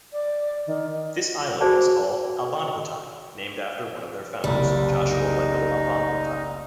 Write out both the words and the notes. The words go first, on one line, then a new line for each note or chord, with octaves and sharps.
This island is called Albonquetine, named after one of their founders, Joshua Wendell Albonquetine.
D5
D#3
F#4 G#4 C5 D5 G#5 A5
F#1 C2 G3
D#4